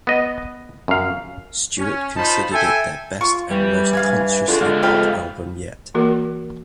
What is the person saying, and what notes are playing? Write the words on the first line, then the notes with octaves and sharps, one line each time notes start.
Stewart considered it their best and most consciously pop album yet.
B3 D#5
F#2 F5
C#4
D#4 F4 C5 A5 B5
A4 E5 G5 G#5
F4 C#6
E3 G3
G2 F5 G#5
D3 F4 G4 G#4
G#2 D3 G#3 F4 F5
F2 B4 F5 G5
E3 A#3 F#4 A#4